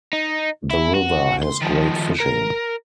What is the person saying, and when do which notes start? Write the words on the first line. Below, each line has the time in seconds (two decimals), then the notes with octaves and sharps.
The river has great fishing.
0.13 D#4
0.70 E4
0.94 F#4
1.43 C6
1.61 D#3 F3
2.20 A#4